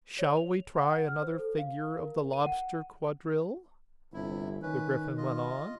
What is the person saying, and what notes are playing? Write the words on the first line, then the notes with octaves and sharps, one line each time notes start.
'Shall we try another figure of the Lobster Quadrille?' the Gryphon went on.
C#5
F7
F#5
F6
C5
A4
F5
A#4
D#7
F#5
G1 C3 E4
D#3 C#4 B4
F4 D#5